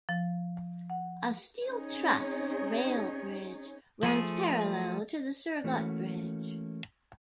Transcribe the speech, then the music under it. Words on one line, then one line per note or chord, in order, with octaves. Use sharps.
A steel truss rail bridge runs parallel to the Surgut Bridge.
F3
F#5
C4 C#4 D#4 G#4 C#5
F3 A3 G#4
E3 A3 A#3 C#4 F#4